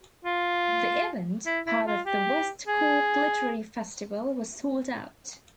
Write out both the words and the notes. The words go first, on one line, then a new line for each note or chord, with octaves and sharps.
The event, part of the West Cork Literary Festival, was sold out.
F4
E4
E4
F4
G4
G#4